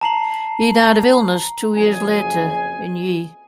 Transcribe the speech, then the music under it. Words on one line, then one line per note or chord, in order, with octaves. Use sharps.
He died of illness two years later in Ye.
A5 A#5 C7 F#7
F#1 F2 F#3 G#4 G#5